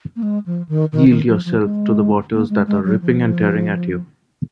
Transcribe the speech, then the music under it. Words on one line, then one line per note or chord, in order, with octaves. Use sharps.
Yield yourself to the waters that are ripping and tearing at you.
A#3
G#3
F3
D#3
D#3
D#3
F3
F3
G#3
A#3
G#3
G#3
F#3
F3